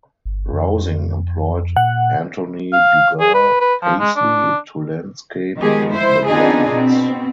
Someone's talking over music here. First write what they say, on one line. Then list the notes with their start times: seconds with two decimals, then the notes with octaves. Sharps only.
Rausing employed Anthony du Gard Pasley to landscape the grounds.
0.25 G1
0.53 F2
1.76 A#2 F#5
2.73 F5
3.20 G#4
3.34 B4
3.61 B4
3.83 F3
4.00 G#3
4.16 D4
5.60 D#3 F3 G#3 B3 G4 G#4
5.92 E4 C5
6.29 B3 C4 D4 D#4 F4 G#4
6.73 B2 C4